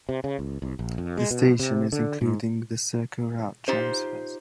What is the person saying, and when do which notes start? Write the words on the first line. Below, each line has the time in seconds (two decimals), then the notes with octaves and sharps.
This station is including the CircleRoute transfers.
0.09 C3
0.24 C#3
0.39 C#2
0.62 C2
0.79 A#1
0.98 F2
1.17 G#3
1.31 B2
1.59 C3
1.92 D3
2.21 G#2
3.68 D#4 F4 G4 C5